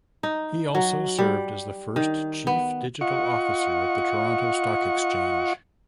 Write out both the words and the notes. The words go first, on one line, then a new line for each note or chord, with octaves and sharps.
He also served as the first chief digital officer of the Toronto Stock Exchange.
D#4
F#3
G3
D#3
B3
F4 D#5 F#5 C#6